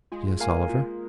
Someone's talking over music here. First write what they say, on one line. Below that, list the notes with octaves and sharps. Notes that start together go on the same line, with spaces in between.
"Yes, Oliver?"
G#3 F4
A#3 A#4 F5 G#5
G#3 F4